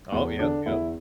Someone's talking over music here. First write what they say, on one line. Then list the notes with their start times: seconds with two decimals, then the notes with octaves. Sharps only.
Oh, yep, yep.
0.12 E2
0.39 D3 D4
0.66 E2 E4